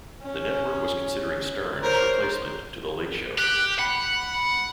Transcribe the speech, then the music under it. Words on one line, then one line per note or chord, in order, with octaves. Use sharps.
The network was considering Stern as replacement to "The Late Show".
C#4
A#4 C5 C#5
G4 F#6
F#5 B5